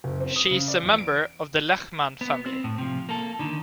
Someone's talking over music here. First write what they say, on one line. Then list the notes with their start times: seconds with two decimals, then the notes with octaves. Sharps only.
She is a member of the Lehman family.
0.04 F#1
0.20 C4
0.36 D#6
0.51 C#3
0.68 D5
0.83 E2
0.98 D7
2.21 B3
2.46 C4
2.64 A2
2.78 C3 F3
3.09 A#3 A4
3.39 D3 D#3